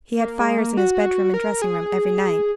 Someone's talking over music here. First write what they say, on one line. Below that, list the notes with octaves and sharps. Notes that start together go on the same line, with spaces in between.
He had fires in his bedroom and dressing-room every night.
A#3
G#3
A#3
F#4
A#4
G#4